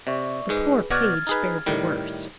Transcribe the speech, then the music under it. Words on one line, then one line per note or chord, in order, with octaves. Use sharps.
The poor page fared the worst.
C3 D5 E5 C#6
G#2 G#3 G#4 B4
B2 F#4 D5 F6 G#6 A6
D#4 G#4 B4
A2 D#3 G3